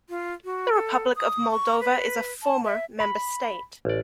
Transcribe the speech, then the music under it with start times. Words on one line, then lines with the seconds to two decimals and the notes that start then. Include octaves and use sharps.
The Republic of Moldova is a former member state.
0.09 F4
0.45 F#4
0.73 A4
1.16 D#6
1.51 C#6
1.80 B4
2.43 A5
2.65 E5
3.00 B5
3.85 A1 D5